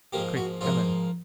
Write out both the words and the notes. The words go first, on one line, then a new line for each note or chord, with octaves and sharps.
Quick, Ellen!'
G#2 F3 A#3 G4
F#4
G#2 F3 A#3 F4